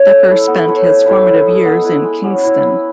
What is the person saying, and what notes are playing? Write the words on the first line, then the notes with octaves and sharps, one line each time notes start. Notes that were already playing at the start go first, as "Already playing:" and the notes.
Dekker spent his formative years in Kingston.
Already playing: C#4 C#5
A3
E4 A4
B3
E4 A4 C#5
A3
E4 A4 C#5
E4
A4 D#5
B3
E4 B4 E5
G#3
C#4 F#4
E4
B4 E5